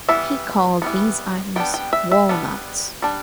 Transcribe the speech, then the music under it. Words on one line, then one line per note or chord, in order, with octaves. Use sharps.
He called these items "wallnuts".
E3 G3 B3 E5
E3 G3 B3
G3 B3 D4 G5
G5
E5
E5
G3 B3 D4
G3 D4